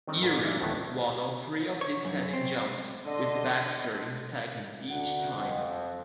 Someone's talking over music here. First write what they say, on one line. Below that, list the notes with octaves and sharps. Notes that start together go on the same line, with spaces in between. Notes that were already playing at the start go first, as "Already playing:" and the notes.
Ewry won all three of the standing jumps, with Baxter in second each time.
D#3 C4 D4 A4 D#5
A1 G#2 A#4
D4 E4 F4 E5
D2 A2 D#3 A3 B3 C5
C#5
F#2
C4
D3 D#5 C6
D2 F#5
F2